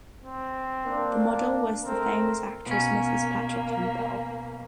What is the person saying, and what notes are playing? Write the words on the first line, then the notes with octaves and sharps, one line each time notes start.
The model was the famous actress Mrs Patrick Campbell.
C4
A#3 D4
A3 C4 A#4
B2 A#3 C#4